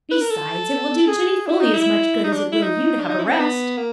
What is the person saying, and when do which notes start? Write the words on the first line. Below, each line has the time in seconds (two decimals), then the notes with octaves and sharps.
Besides, it will do Jinny fully as much good as it will you to have a rest.
0.11 B4
0.21 A#4
0.31 A4
1.08 G#4
1.47 E4
1.60 D#4
1.74 E4
2.24 D#4
2.33 D4
2.52 E4
2.62 D#4
3.00 D4
3.09 D#4
3.19 E4
3.24 C#4
3.29 C4
3.39 B3
3.77 A#3